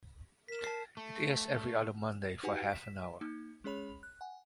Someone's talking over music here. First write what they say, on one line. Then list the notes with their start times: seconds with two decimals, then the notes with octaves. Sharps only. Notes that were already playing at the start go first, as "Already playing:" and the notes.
It airs every other Monday for half an hour.
0.48 A#4 B6 E7
0.64 A5 C7
0.97 A3
2.43 D#4 F#4 G4 B4 F#5 G#5
2.73 B6 E7
3.21 A#3 D#4
3.64 G#3 C#4 G#4 C#5 B5 F7
4.03 F#6
4.21 F#5 G#5